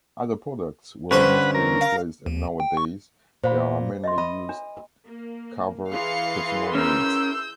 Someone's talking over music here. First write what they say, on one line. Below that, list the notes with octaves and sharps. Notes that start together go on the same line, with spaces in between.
Other products were mostly replaced and nowadays, they are mainly used cover personal needs.
G2 D3 C#4 B4 C5 F#5 C6
A#4
F5
D#2
G5
C#6
A#2 C5 F5 B5
D#5 E5 C6
D#5 B5
D4
A#3
E3 G#4 F5 C6 C#7
C#4 A#4 E6 G6